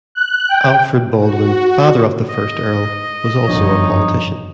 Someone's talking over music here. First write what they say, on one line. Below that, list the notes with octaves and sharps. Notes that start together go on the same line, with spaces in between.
Alfred Baldwin, father of the first Earl, was also a politician.
F#6
G5
F#4
D#5
G1 F#2 F3 D4 D#4 C#5 D#6